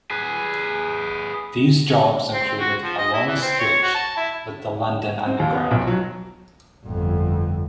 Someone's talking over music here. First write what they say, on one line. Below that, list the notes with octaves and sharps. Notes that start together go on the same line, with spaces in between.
These jobs included a long stretch with the London Underground.
G#4 B4
C4
C4
F#4
F3
D#5
E4
E3
C4
C#5
F#4
A5
E4
C4
D#2
B3
B1
F#3
G1 F2